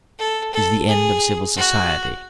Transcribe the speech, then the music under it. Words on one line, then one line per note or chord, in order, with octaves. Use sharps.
It is the end of civil society.
A4
A4
G#4
F#4